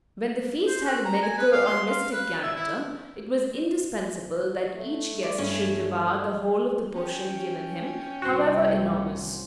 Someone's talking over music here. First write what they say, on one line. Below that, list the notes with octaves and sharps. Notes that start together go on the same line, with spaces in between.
When the feast had a medical or mystic character, it was indispensable that each guest should devour the whole of the portion given him, however enormous.
C5
F#4
A#5
G#5
B4
F5
C6
F5
B4
E5
E4
A3
D5
G2 C#4
C#4 G5
C2 A2 F#4 C5